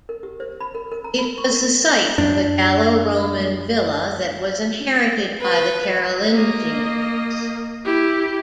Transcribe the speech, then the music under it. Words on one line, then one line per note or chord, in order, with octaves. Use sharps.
It was the site of a Gallo-Roman villa that was inherited by the Carolingians.
A#4
G4
C5
B5
A#4
A#4
A#5
B5
C#6
A#4
F#2 D4
B4
A#3 D#5
E4 G4